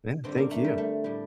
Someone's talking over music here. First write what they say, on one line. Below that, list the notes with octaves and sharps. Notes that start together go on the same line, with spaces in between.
Yeah, thank you.
G2 D3 G3 C4
A#3
A3
G3
A3
A2 G3